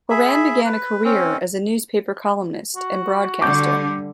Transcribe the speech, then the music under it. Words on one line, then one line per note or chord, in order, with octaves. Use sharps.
Horan began a career as a newspaper columnist and broadcaster.
G#4 E5 B5
B4
C4 C#4
F#4
D3 G3 D6 G6